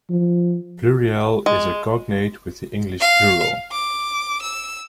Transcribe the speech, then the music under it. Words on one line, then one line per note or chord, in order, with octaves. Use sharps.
Pluriel is a cognate with the English "plural".
F3
G#3
F5
D6
E6